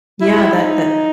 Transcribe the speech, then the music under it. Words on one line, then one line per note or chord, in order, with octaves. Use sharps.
Yeah, that that p
E4
E4
D#4